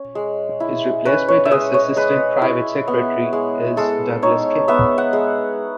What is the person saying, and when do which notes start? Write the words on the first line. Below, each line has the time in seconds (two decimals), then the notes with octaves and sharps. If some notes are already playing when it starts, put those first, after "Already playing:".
His replacement as Assistant Private Secretary is Douglas King.
Already playing: C#4
0.15 G#3
0.60 E4
1.05 C#4 B4
1.28 C#5
1.45 E5
1.51 G#3 D#5
1.74 C#5
1.96 G#3 B4
2.42 E4
2.88 B3
3.33 G#3
3.77 G#3 A4
4.22 D#4 C#5
4.68 B3 E5
4.98 F#5
5.13 G#3